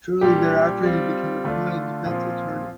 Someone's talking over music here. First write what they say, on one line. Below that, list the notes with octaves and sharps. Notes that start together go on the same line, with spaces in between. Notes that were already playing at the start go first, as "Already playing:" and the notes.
Shortly thereafter he became a criminal defense attorney.
A#2 G3 D4 G4
G3 C4 F4
D3 A3 D4 F4
A#2 F3 C4 F4